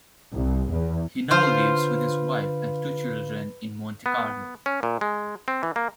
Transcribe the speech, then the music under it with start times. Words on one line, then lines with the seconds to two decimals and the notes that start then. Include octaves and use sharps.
He now lives with his wife and two children in Monte Carlo.
0.32 C2
0.71 E2
1.31 D3 F4 B4 C5 F5
4.06 B3
4.66 C#4
4.83 A#2
5.01 G#3
5.48 C4
5.63 E3
5.76 A#3